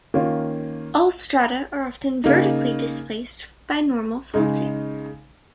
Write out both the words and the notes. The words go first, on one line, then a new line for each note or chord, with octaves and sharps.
All strata are often vertically displaced by normal faulting.
D#3 A#3 C#4 F4
C#3 A#3 D#4
C#3 G#3 D#4